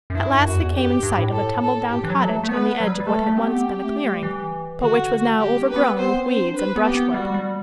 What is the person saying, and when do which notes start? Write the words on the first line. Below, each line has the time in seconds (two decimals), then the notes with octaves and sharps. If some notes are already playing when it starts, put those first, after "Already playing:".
At last they came in sight of a tumbled-down cottage on the edge of what had once been a clearing, but which was now overgrown with weeds and brushwood.
0.10 F#2
0.15 G2 E4
0.35 F#2
0.45 F#4
0.54 E2
0.73 F#2 G4
0.88 G2
1.03 G2
1.17 A2
1.32 A4
1.61 A4
1.90 G2 G4
2.04 E3
2.10 F#3
2.19 A4
2.29 A3
2.43 A3
2.48 B3 B4
2.80 F#3
2.87 G3
3.00 G3
3.06 A3 A4
3.26 A3
3.37 C4 G4
3.45 B3
3.65 C4
3.84 A3
4.04 G3
4.23 E3
4.81 D3 F#4
5.31 A3
5.40 G3 G4
5.54 B3
5.62 D4
5.68 C4 B4
5.76 B3
5.84 C4
5.98 B3 C5
6.17 C4
6.28 C5
6.37 D4
6.56 B4
6.76 B3
6.86 G4
6.95 B3
7.14 G3 F#4
7.34 G3